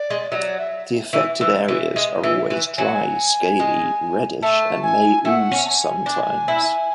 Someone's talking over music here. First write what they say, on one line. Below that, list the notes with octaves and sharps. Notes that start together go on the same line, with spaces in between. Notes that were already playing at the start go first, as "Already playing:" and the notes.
The affected areas are always dry, scaly, reddish and may ooze sometimes.
Already playing: D5
G#3
F#3 D5 E5
E5
E3
E3
E3
G#3
E3
E3
F#3 G#5
F#5
G#5
G#3
A3 A5
G#5
A3 G#5
F#5
C#4
A5
G#5
D4
E4